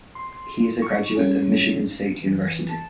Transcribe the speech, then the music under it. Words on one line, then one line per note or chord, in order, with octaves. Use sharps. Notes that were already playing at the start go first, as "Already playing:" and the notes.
He is a graduate of Michigan State University.
C6
C#6
G3 C#4 G#4
E3
A5